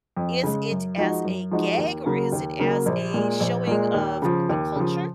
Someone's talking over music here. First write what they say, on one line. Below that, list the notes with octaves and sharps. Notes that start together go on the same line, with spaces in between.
Is it as a gag, or is it as a showing of the culture,
F2
C#3 G#3
F#2
F3 G#3 D#4 F#4
F#2
F3 G#3 D#4 F#4
D#2
C#3 F#3 A#3
D#2
C#3 F#3 A#3
A#1
A#2 G#3
A#1
A#2 G#3
D#2
C#3 F3
D#2
C#3 F3